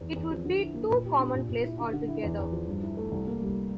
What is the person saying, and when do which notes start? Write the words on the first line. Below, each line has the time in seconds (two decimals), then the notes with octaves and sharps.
It would be too commonplace altogether.
0.01 E2
0.16 E2
0.31 F3
0.46 D3
0.60 E4
0.74 A#3
0.90 A#2
1.05 G4
1.19 D4
1.35 A#2
1.49 A#2
1.64 E4
1.79 D3
1.93 D3
2.08 E4
2.23 E2
2.39 E2
2.52 F3
2.68 G2
2.83 E4
2.97 A3
3.12 C2
3.27 A#3
3.42 G3